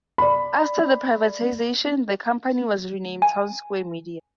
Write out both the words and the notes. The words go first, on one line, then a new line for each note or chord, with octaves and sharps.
After the privatization, the company was renamed Townsquare Media.
D5 B5
G#5